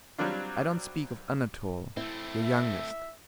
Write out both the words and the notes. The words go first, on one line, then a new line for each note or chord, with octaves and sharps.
I don't speak of Anatole, your youngest.
F#3 G3 C4 D4 F4
A3 C4 E4
E5